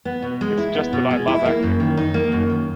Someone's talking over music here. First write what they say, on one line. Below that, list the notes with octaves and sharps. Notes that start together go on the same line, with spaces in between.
It's just that I love acting.
B3
B2
G#3
E4
B3
B2
G#3
E4
A#3
F#2
D#3
D#4
A#3
F#2
D#3